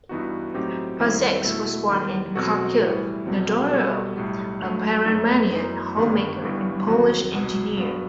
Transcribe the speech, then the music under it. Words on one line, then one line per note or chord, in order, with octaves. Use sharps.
Pasek was born in Kharkiv, the daughter of a Panamanian homemaker and Polish engineer.
G2 E3 B3 D#4 F#4
A2 F#3 C4 D#4 G4
E2 D#3 G3 C4 E4
B2 A3 E4 A4
E2 D#3 G3
B2 F#3 C4 F#4 A4
A2 E3 G3
B1 B2 F#3 C4
B2 G3 B3 F#4 A4
B1 A2 G3
G2 F#3 A3
F#2 F#3 A3 D#4
F#2 E3 B3 D#4
G1 G2 D#3 G3 B3
G1 G2 E3 G3 B3
E2 D#3 F#3 C4 F#4
C2 B2 F#3 B3
G2 F#3 B3